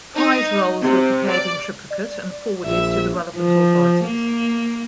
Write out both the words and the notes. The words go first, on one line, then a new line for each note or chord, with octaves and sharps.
Prize rolls were prepared in triplicate and forwarded to the relevant authorities.
D#4
C3
D5
D5
A#1 E5
F3
A#3